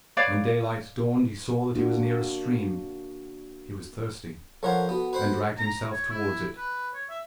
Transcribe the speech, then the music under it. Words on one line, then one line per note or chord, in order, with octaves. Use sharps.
When daylight dawned he saw that he was near a stream; he was thirsty, and dragged himself towards it.
B4 C#5 D5 F5
A#3 D4 F#4
F3 A4 A#4 C5 C#5 F#5
B3 F#4 A4
B4 C5 F#5
A#5
C#5
E4
B4
C#5
E5